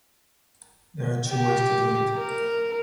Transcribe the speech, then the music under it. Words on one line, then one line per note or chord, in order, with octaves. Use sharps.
There are two ways to do it.
G4
A#4